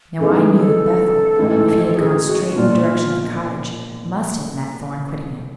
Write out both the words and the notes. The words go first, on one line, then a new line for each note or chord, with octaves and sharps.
Now I knew that Bethel, if he had gone straight in the direction of the cottage, must have met Thorn quitting it.
C#3 E3 G#3 B3 D#4 A4
A4
G#4
G#4
A4
A1 G#2 E3 A3
G#4
F#4
B1 A#2 F3 A#3 D4 F4